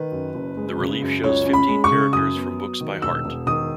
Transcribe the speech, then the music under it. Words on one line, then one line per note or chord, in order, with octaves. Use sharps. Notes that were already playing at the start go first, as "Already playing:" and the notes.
The relief shows fifteen characters from books by Harte.
Already playing: D#3 B4
F#2
F#1
G#3
C#3
F#2
C#2 C#5
C#4
B5
G#3
C#6
C#3
F#2 D#6
B3
F#3
D#3
E1 E6
E1
D#3 D#6